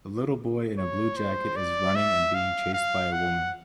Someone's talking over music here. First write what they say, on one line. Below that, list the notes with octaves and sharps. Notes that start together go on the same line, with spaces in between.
A little boy in a blue jacket is running and being chased by a woman.
C#5
C5
D5
E5
F5
F5
F#5